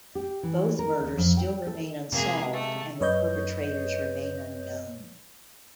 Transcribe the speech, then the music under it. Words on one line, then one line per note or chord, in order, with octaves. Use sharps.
Both murders still remain unsolved and the perpetrators remain unknown.
G4
E3
A#4
D#2
F2
G5
A4
C3 G#3 A#3 G#4
A3
F#2 B4 C#5 D#5 G6